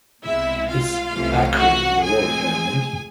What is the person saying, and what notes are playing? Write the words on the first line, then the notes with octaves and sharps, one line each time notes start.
Is 'acrid' the word I want?
C2 B2 G#3 C4 E4 E5
F4 F5
C2 C3 E3 A3 C#4
F#4 F#5
A2 F3 G#3 C4 G#4 G#5